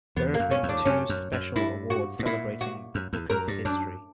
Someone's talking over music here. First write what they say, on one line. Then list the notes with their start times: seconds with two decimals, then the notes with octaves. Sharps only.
There have been two special awards celebrating the Booker's history.
0.17 E2 B3
0.34 A#3
0.39 F#2
0.51 C#4
0.63 E2
0.69 D4
0.85 F#2 C#4
1.09 F#2
1.33 F#2
1.56 G2 E4
1.90 F#4
2.19 G2
2.26 A#2 E4
2.61 F#4
2.95 F#2
3.13 E2
3.30 F#2 A#4
3.48 G2
3.65 F#2 D4